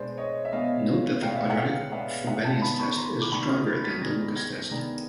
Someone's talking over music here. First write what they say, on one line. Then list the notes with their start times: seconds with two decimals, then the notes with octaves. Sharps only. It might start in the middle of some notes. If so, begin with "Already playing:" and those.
Note that the quadratic Frobenius test is stronger than the Lucas test.
Already playing: B2 G#3 B3 D4 C5 D5
0.17 C#5 D#5
0.45 E5
0.52 B2 G#3 B3 D4 D#5 F5
1.22 B2 G#3 B3 D4 F5 G5
1.35 E5
1.42 F5
1.50 F#5
1.57 F5 G5
1.92 B2 G#3 B3 D4 E5 F#5
2.27 E5 F#5
2.44 G5 A5
2.62 D#3 G#3 B3 D4 A5 B5
2.79 B5 C#6
2.97 A#5 C6
3.22 D6
3.32 D#3 G#3 B3 D4 B5 C#6
3.49 D#6 F6
3.67 G6 A6
3.84 A6 B6
4.01 D#3 G#3 B3 D4 G#6 A#6
4.36 G#6 A#6
4.71 D#3 G#3 B3 D4